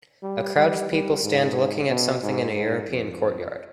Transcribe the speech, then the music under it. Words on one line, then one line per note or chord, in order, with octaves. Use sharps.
A crowd of people stand looking at something in a European courtyard.
G3
G3
G3
G#2
B2
G#2
G#2
F2